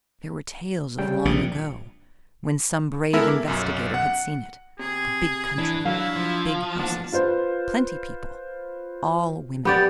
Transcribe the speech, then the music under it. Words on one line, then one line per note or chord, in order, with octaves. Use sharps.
But there were tales of long ago, when some brave investigator had seen it--a Big Country, Big Houses, Plenty People--All Women.
C#3 G3 G5
A#1 A#2
G#3 B3 E4 A4 A#4 E5
D6
B1 F#2
F#5
C3 G#4
E3 D4
F#3 E4 F5
F3
D#2 A2 B3 D4
F4 B4 C5
B3 G4 D5